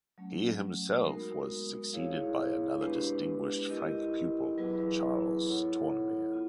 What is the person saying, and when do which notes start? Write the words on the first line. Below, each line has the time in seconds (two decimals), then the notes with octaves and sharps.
He himself was succeeded by another distinguished Franck pupil, Charles Tournemire.
0.18 F#3 A3 C#4
1.06 G#3 B3 D#4 F#4 A#4
1.93 E4 G#4 C#5 F5
2.81 G#3 B3 D4 G4 B4
3.70 E4 G4 A#4 D#5
4.58 F#3 B3 E4 G#4 B4
5.45 E4 A4 C#5 F#5
6.33 B3 F4